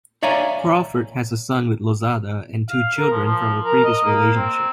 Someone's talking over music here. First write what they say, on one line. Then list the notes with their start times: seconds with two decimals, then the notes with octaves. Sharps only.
Crawford has a son with Lozada and two children from a previous relationship.
0.23 C#5 D5 E5 F5 G#5 A#5
2.70 F5
2.98 A#4
3.11 F3
3.25 F3
3.64 A#4
3.85 D#5
4.04 A#3
4.36 C4